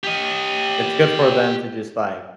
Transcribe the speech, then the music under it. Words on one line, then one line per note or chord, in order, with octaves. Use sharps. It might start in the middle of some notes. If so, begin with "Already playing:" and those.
it's good for them to just, like
G4 D#5